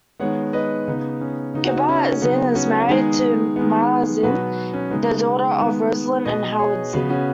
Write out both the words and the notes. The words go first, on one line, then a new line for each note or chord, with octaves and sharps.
Kabat-Zinn is married to Myla Zinn, the daughter of Roslyn and Howard Zinn.
D#3 G#3 B3 C#5 F#5
B4 D#5
C#3 B3 D#4
C#4
C#3 B3 D#4
F#4
D#4
C#4 F#4
C#3 F#3 B3 D#4
C#4 F#4
D#3 G#3 B3 D#4 G#4
D#3 G#3 B3
B2 F#3 B3 F#4 B4
C#4
C#3 G#3 B3 D#4
D#3 G#3 B3
B2 B3 B4 D#5
G#4 C#5
C#3 B3 F#4 B4
C#4 F#4